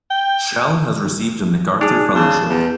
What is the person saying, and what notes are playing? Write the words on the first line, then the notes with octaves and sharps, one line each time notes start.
Shell has received a MacArthur Fellowship.
G5
D4 D#4 G#4
C#3 B3 A5
E2